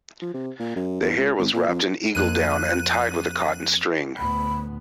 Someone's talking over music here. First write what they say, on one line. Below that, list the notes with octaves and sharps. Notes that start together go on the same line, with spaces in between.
The hair was wrapped in eagle down and tied with a cotton string.
F3
C3
A#2
F#2
E2
C#2
G#1
A#2
F2
F2 A#3 F4 F#6 D#7
D2 A2 B3 B5